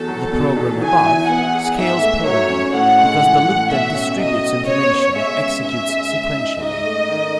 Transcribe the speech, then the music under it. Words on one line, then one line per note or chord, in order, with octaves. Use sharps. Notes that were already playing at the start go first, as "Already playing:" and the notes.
The program above scales poorly because the loop that distributes information executes sequentially.
Already playing: E2 F#4 A4
F#3
B2
E2
E3 G#5
E4
B3 F#5
G#4
G#2 E5
A3
F#3 C#5
C#4
A2 F#5
G#3
E3
A2
B2 E5
C#4
F#3 D#5
B2
C#3 C#5
B3
G#3 E5
C#3
F#2 E5
G#3
C#3
D#4
G#2 D#5
A3
D#3